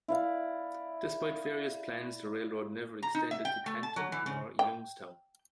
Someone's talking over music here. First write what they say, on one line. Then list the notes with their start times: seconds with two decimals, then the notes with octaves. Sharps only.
Despite various plans the railroad never extended to Canton nor Youngstown.
0.08 E4 D5 F5
3.03 A#5
3.15 D#4
3.31 E5
3.45 G5
3.66 A3
3.83 A5
3.96 F#3
4.12 E3
4.26 C#3
4.59 G5